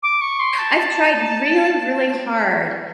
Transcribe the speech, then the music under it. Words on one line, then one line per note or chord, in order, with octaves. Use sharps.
I've tried really, really hard
D6
C#6
C6
A5
A5